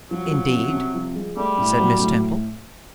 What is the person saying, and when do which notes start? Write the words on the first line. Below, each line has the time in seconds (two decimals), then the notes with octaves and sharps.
'Indeed!' said Miss Temple.
0.10 F3 F#3
0.31 F3
0.53 C3
0.73 C3
0.94 F3
1.16 G#3
1.37 G3 A3
1.58 A2
1.80 F#3
2.00 A2